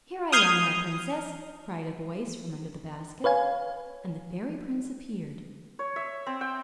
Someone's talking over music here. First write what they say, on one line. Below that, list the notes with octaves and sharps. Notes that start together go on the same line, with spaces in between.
"Here I am, my princess," cried a voice from under the basket; and the fairy-prince appeared.
D#6 F6 G6 G#6 C7
B4 C#5 F5 G#5
C#5
E5
C4
G5